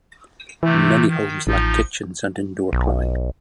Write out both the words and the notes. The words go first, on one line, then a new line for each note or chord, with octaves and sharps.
Many homes lack kitchens and indoor plumbing.
C3 E3 A3
D#3
A1 F3 D#4 F4
B1